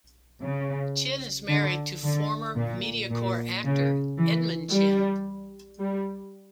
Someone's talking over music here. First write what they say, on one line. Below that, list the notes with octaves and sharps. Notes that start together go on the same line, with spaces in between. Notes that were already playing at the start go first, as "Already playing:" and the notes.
Chen is married to former MediaCorp actor Edmund Chen.
C#3
D3
D3
A#2
A#2
C#3
E3
G3
G3